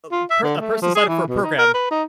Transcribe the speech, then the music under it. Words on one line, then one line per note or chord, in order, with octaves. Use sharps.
a per a person signed up for a program
F4
E5
D3
A3
F3
G#4
E3
B2
D#4
A#4
B4
D#4